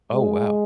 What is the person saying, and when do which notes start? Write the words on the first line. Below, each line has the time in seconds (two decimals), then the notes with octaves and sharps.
Oh wow.
0.12 G#3